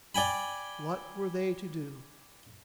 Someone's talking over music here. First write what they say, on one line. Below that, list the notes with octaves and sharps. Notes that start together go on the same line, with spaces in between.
What were they to do?
D5 G5 G#5 B5